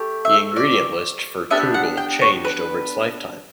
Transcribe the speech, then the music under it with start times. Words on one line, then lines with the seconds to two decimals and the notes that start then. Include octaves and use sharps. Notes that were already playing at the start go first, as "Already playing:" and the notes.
The ingredient list for Koogle changed over its lifetime.
Already playing: A3 G4
0.25 E5
0.56 D5
1.50 B3 D4 G4 E5
1.74 F#5
1.97 G5
2.21 C#5
2.45 B4